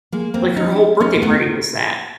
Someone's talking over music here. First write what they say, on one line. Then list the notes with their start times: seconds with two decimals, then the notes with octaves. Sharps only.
like, her whole birthday party was that.
0.12 G#3 A#3
0.34 A#3 C4
0.56 C#4 D#4
1.00 C#4 D#4
1.16 A#3
1.22 A3 B3